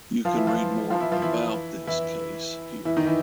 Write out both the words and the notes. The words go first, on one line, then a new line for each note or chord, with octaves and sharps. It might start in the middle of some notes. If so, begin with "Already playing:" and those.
You can read more about this case here.
F3 F4
E3 E4
F3 F4
F3 F4
E3 E4
F3 F4
E3 E4
E3 E4
E3 E4
D#3 D#4
E3 E4